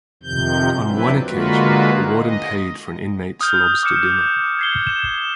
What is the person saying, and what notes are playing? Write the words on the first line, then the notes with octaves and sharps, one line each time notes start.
On one occasion, the warden paid for an inmate's lobster dinner.
F2 C3 D#3 F3 G6
F3 F#3 C4 D4 E4 B4
D3 G#3 A#3 F4 F#4 B4
D#5
D#6 F6 G6
D6 F6 F#6 C#7 E7
G#6 C7 G7
E7